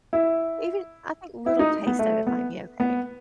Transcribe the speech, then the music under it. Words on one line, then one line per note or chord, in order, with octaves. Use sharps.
Even I think little taste of it might be okay.
E4
E4
D#4
B3
A3
B3
B3